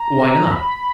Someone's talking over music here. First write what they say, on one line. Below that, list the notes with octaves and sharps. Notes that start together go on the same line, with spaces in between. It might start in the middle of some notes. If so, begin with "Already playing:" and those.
"Why not?"
Already playing: A#5
B5